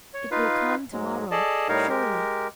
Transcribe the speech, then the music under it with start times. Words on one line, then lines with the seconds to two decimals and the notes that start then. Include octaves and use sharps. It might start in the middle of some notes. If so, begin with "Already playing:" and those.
"It will come to-morrow, surely."
0.14 C#5
0.31 D#4 F4 B4 F5
0.93 G#2 F#3 G#3
1.31 G#4 A4 D5 D#5 A5
1.68 A2 G3 D#4 A#4 C#5 F5
1.89 G#3 G4 A#4